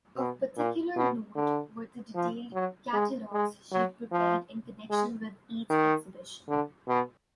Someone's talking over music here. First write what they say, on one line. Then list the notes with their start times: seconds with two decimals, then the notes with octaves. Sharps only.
Of particular note were the detailed catalogues she prepared in connection with each exhibition.
0.17 B2
0.57 A#2
0.96 B2
1.35 D3
2.15 F3
2.54 F#3
2.93 G#3
3.33 G#3
3.72 F#3
4.12 F3
4.90 G#3
5.70 D#3
6.49 D3
6.88 B2